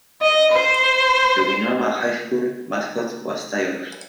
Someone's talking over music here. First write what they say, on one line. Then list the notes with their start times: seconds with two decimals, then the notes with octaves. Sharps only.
The Winona High School mascot was Tigers.
0.22 D#5
0.53 C5